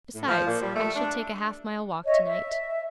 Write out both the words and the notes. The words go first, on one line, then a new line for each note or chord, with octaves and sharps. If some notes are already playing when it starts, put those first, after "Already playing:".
Besides, I shall take a half-mile walk to-night.'
A2
F3
A#2
G3
A3
D4
C#5 D#5 E5
E5